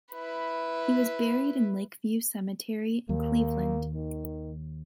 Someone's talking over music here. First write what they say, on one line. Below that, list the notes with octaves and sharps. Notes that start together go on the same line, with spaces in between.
He was buried in Lake View Cemetery in Cleveland.
E4 B4
D#2 A#3
D#3